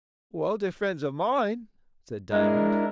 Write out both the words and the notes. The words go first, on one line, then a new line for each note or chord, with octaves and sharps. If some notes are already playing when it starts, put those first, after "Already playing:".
"Well, they're friends of mine," said Diamond.
G#3 D4 E4 A#4